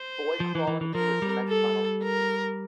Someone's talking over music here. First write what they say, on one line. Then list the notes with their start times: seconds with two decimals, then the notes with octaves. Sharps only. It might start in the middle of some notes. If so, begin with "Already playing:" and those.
Boy crawling through a cement tunnel.
Already playing: C5
0.40 F3
0.55 E3
0.68 E3
0.81 E3
0.95 F3 A#4
1.22 G3
1.49 A4
2.03 A#4